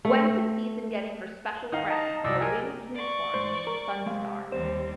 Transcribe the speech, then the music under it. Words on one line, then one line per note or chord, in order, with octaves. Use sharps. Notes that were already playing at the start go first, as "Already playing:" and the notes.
Gwen succeeds in getting her Special Friend, a winged unicorn named Sunstar.
A3
D#3 D#4 F5
D#5 A5 A#5
C2 F#3 D5 D#5 E6
G4 A#4 G#5
D5 C#6
G#2 C5
A#4
C3 G#3 F5
D#2 G3 C4 C5